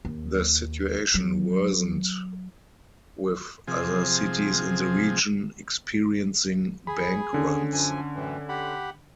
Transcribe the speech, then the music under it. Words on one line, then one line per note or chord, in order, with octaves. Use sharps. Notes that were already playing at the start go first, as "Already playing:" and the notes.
The situation worsened with other cities in the region experiencing bank runs.
D#2
F#3
C3 F3 G#4
G#4 B5
D3 C#4
F#2 F3 G#5
F#2 A2 E3
G4 F#5 B5